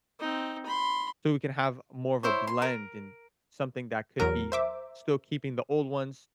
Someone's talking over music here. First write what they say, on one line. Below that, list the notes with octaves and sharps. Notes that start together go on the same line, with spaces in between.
so we can have more of a blend and something that could be still keeping the old ones
C4 D#4
B5 C6
E4 C5 C#5
C6
A#4
E2 F#3 A#4
C5 E5 D6